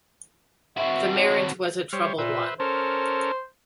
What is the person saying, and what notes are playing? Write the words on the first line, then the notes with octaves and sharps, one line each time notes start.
The marriage was a troubled one.
C4 F#4 E5
C#5
G3 C5 C#5
A#2 B4 C5 E5
C#4 A4 A#4 C5